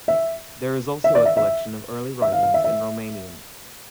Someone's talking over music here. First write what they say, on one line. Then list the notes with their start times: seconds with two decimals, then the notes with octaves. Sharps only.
There is also a collection of early writings in Romanian.
0.08 E5
1.04 E5
1.15 D5
1.25 E5
1.37 E5
2.22 E5
2.32 F5
2.43 F5
2.54 E5
2.64 E5